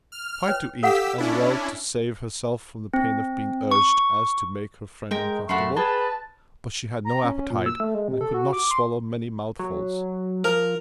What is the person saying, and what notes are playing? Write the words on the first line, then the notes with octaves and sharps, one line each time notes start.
She tried to eat, as well to save herself from the pain of being urged as to make her friend comfortable; but she had no appetite, and could not swallow many mouthfuls.
F6
B4 C#5 G5
G4 A4 F5 F#5 E6 B6
C#4 D4 E4
C4
C#6
G#3 A#4 G5
F#2 A3 F#4 B5 C6
G#4 B4 G5 A5
A#5
C#4
C#4
A#2
E6
A3
G#3
C3
A4
F#4
D6
C6
F#3
F3 A#4